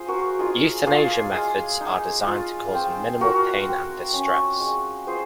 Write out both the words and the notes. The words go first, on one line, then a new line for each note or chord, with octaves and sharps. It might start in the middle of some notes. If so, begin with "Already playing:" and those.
Euthanasia methods are designed to cause minimal pain and distress.
Already playing: F4 G#4 C5
F#4 A#4
D#4 F4 G#4
A#3 F4 G#4
G#3
D#4
F4
C4
F4 F#4 A#4
C4
C#4
G#3
F4 G#4 C5